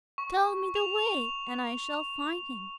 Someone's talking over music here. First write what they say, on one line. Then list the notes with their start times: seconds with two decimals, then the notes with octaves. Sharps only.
"Tell me the way, and I shall find him!"
0.18 C#6
0.75 F7